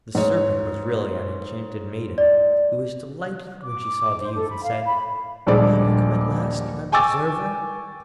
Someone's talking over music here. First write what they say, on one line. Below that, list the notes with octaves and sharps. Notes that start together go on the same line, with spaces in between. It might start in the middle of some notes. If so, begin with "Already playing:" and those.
The Serpent was really an enchanted maiden, who was delighted when she saw the youth, and said, 'Have you come at last, my preserver?
G#2 C#5
D5
D6
C5
A4
B5
F5
B5
D#1 A#1 D3 G3 G#3 D5
G5 G#5 C#6 D6 E6 A6